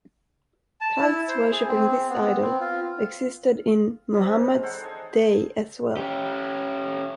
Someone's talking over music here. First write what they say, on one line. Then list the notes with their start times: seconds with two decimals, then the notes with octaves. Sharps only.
Cults worshipping this idol existed in Muhammad's day as well.
0.81 A5
1.01 E4
1.29 C5
1.52 G#4
1.68 C4
2.09 B3
2.42 C4
2.60 F4
4.14 C3 E3 C#4
4.31 D4
4.46 G#3 A#5
4.63 A4 C5 F#5 A5
4.83 D#5 G#5 A5
5.97 C#4 G4